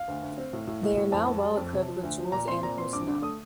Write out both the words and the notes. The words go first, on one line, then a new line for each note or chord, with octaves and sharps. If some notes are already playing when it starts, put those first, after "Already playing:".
They are now well equipped with tools and personnel.
Already playing: F5
D2
D2
C4
A2
A2
A2
A2
F2 A5
F2
G3
F2
C3
F3
D2
F3
A#2 A#5
C4 C6
A#2 A#5
C4 C6
G2 D6
D3
A3 D#6